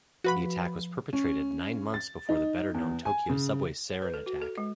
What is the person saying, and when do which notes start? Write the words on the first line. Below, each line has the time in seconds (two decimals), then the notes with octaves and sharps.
The attack was perpetrated nine months before the better known Tokyo subway sarin attack.
0.24 F3 F#4 B4 B5
1.13 C#4
1.94 A6
2.29 D#4
2.74 E2
3.05 G#5
3.29 C#3
4.02 B4
4.14 A4
4.26 F#4
4.41 A4
4.58 G#3